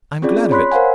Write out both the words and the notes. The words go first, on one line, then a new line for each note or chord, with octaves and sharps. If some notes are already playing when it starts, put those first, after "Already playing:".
I am glad of it.
C4 C#4 F4 G#4 D5
C#5 B5 C6 F#6 B6
A#4 C5 F5 F#5 G#5